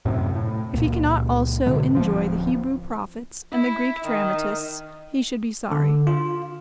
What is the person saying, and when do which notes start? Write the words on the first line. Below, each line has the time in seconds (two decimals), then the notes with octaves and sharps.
If he cannot also enjoy the Hebrew prophets and the Greek dramatists, he should be sorry.
0.05 F#2 A2 C3
0.35 A2
0.74 C#2 A#2
1.66 G#2 B2 D3
1.95 D1 F3 C4
3.52 E4
4.04 D#3
5.72 D3
6.07 F4